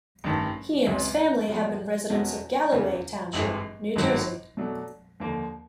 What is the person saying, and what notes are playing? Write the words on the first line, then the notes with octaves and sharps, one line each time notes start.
He and his family have been residents of Galloway Township, New Jersey.
A1 G2 D#3
C#2 C3 E3
A2 F3 G#3 B3
E2 B2 G#3 C#4 F#4
E2 C#3 E3
G#1 G2 E3 G#3
G#1 G2 D#3 F#3
B2 F#3 A3 D4
D#2 D3 F3 A#3